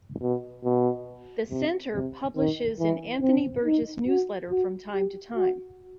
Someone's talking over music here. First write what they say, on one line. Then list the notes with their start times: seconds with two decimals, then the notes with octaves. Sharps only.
The Center publishes an "Anthony Burgess Newsletter" from time to time.
0.22 B2
0.64 B2
1.50 C3
1.93 C3
2.36 D#3
2.79 E3
3.22 C4
3.65 D#4
4.07 F#4
4.50 F#4
4.93 G4
5.36 F#4